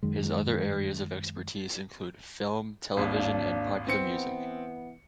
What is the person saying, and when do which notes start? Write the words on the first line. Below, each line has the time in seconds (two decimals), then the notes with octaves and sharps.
His other areas of expertise include film, television, and popular music.
0.03 F#2 D#3 G#3
2.97 G#1 D#2 A#3 D4
3.88 E3 B3 C4 C#7